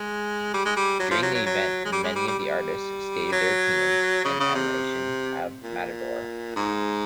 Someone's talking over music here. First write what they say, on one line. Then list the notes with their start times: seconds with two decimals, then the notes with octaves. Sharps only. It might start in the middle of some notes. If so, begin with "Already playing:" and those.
During the event Many of the artists stated their opinions and admiration of Matador.
Already playing: G#3
0.54 G3
0.66 G#3
0.77 G3
1.00 F#3
1.11 F3
1.23 F#3
1.35 F#3
1.46 F#3
1.85 G#3
1.92 G3
2.04 G#3
2.16 G3
2.28 G3
2.39 G3
3.32 F#3
4.25 C#3
4.40 C#3
4.55 C3
5.63 A#2
6.56 G#2